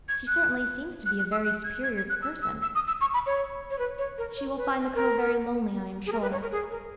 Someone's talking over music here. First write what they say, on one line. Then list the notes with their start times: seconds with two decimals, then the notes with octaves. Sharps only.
She certainly seems to be a very superior person; she will find the Cove very lonely, I am sure.
0.09 G#6
0.27 F#6
1.06 F#6
1.19 F#6
1.32 E6
1.45 F#6
1.64 G#6
1.84 G#6
1.97 G#6
2.09 F#6
2.22 E6
2.42 E6
2.62 E6
2.75 D#6
2.87 E6
3.01 C#6
3.14 B5
3.26 C#5
3.71 C#5
3.79 B4
3.98 C#5
4.18 A#4
4.37 C#5
4.57 B4
4.95 A#4
6.07 G#4
6.12 A#4
6.22 B4
6.32 C#5
6.42 A#4
6.52 G#4
6.71 A#4